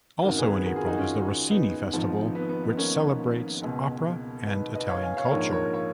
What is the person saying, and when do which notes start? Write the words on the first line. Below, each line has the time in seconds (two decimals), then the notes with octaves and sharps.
Also in April is the Rossini Festival, which celebrates opera and Italian culture.
0.23 G#1 F#2 D#3 F#4 A#4
0.38 G#4 B4
0.51 G#4 B4
0.66 F#4 A#4
0.76 F4 G#4
0.87 D#4 F#4
0.98 C#4 F4
1.51 B3 D#4
1.93 G#1 G#2 F3
2.35 B3
2.49 B3
2.63 B3
2.77 A#3 C#4
3.62 C#2 B2
4.47 B3 D#4
4.75 B4 D#5
4.89 C#5 F5
5.03 F5 G#5
5.17 C#5 F5
5.31 A#1 G#2 F3 A#4 C#5
5.52 A#4 C#5
5.73 C#5 F5